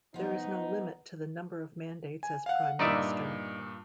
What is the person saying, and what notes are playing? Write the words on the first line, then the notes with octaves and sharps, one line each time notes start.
There is no limit to the number of mandates as Prime Minister.
F3 B3 D#4
G#5
F5 F#5
G2 A#2 D#4 D5 E5